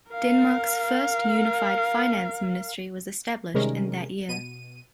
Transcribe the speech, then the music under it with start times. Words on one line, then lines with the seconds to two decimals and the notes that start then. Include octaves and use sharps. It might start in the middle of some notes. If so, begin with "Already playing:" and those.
Denmark's first unified Finance Ministry was established in that year.
0.12 A#4 F5
3.54 C3 D#3 G3 G#3 C#4 A#4
4.29 B2 D#7